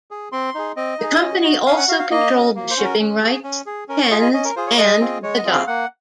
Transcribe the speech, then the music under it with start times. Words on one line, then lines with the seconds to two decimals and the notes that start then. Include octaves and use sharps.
The company also controlled the shipping rights, pens and the dock.
0.11 G#4
0.32 C4 C6
0.55 D#4 G#4
0.76 C4 D#5
0.99 D#4 G#4
1.22 C#4
1.44 F#4
1.66 C#4 F5
1.77 F#5
1.88 F#4 F5
1.99 F5
2.11 A#3 D#5
2.34 C#4 F#4
2.56 A#3
2.70 C5
2.77 C#4 F#4
2.84 A#4
3.00 C#4
3.21 G#4
3.44 C#4
3.66 G#4
3.88 C#4 A#4
4.00 C#5
4.11 F4 G#4 D#5
4.22 D#5
4.33 C#4 D#5
4.45 A#4
4.56 F4 G#4 C5
4.67 C#5
4.77 G#3 D#5
5.00 C4 F4 G#4
5.22 G#3 C#5
5.37 D#5
5.44 C4 F4 G#4
5.52 F5
5.67 A#3 F#5